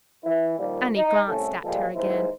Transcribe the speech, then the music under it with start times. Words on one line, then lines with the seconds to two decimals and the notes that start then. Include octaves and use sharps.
Annie glanced at her again.
0.24 E3 E4
0.59 A#2 D#3 F3 G3
0.97 D#4
1.28 C2 A2 C#4 A4
1.64 A#2 F3 G3 G#3 A4
1.95 D#2 G#2 E3 D#4 E4 C5